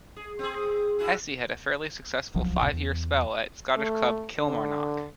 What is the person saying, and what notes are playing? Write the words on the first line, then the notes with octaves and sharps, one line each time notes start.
Hessey had a fairly successful five-year spell at Scottish club Kilmarnock.
G#4
C4 G#4
E4 F#4 G#4
D1 C2 F3 F#3
G1 C#2 A2 C3
E2
A3
D3